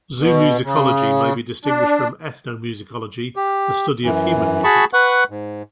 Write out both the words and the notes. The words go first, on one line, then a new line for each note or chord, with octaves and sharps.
Zoomusicology may be distinguished from ethnomusicology, the study of human music.
B2
C#3
D4
G4
F#2 E3
F#4 G#4 A5 B5 C#6
B4 F#5 C#6
G#2